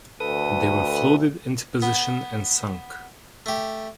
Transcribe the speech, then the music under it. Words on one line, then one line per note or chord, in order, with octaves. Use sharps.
They were floated into position and sunk.
D2 A4 B4 D#6
B3
A3 G4